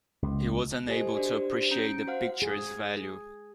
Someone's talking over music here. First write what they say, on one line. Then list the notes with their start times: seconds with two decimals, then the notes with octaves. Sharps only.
He wasn't able to appreciate the picture’s value.
0.22 C#2
0.88 G4 A4 C5 D#5 G#5
1.17 D4 F#4 G4 C5 D5
1.71 C#4 A#5 G6 C#7 D7
2.07 F#4 C5 F5 F#5 F6
2.42 G#4